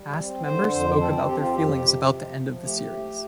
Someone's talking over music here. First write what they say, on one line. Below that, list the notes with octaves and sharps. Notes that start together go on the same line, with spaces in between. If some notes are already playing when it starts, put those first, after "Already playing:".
Cast members spoke about their feelings about the end of the series.
Already playing: G3
C4
D3 C5
F2 C5
C4 A4
A4
C4 G4
F4
F2 G4
C3
F3
F3
A3 G4
A3